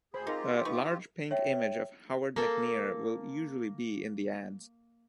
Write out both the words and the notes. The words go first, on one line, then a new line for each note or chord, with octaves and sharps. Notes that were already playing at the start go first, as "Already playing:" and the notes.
A large pink image of Howard McNear will usually be in the ads.
D2 G#4 C5 B5
C4 D#4 F4 G4 G#4 A#4 A#5
D#4 B4 C#6
C#5 E5 G5
A#3 A4